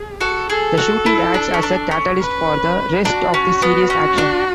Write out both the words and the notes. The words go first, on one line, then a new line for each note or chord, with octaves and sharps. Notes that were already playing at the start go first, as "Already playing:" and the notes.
The shooting acts as a catalyst for the rest of the series' action.
Already playing: G#4
F#4 A4
G#4 A4
F#4
E4
D4
C#4
D4
C#4
B4
D4 F#4
C#4
B3
C#4
D4